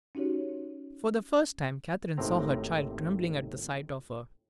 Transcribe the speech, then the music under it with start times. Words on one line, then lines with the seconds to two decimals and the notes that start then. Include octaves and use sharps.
For the first time Catherine saw her child trembling at the sight of her.
0.15 C#4 D#4 F#4 G4 C#5
2.17 G#1 D#2 A2 C3 C4 A#5